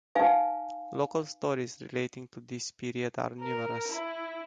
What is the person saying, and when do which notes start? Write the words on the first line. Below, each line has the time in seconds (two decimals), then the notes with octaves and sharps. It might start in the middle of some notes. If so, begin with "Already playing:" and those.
Local stories relating to this period are numerous.
0.15 D#4 B4 F5 G#5
3.40 A#4
3.88 E4